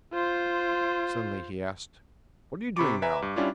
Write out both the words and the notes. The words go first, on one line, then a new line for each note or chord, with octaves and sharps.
Suddenly he asked: "What are you doing now?"
F4 C5
C3 B5 C#6 D6
B4 E5 G#5 A#5
G2
G3 C#4 D4 E4 F4